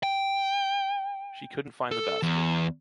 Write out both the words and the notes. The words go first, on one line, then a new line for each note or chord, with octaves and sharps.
She couldn’t find the basket.
G5
A4
E2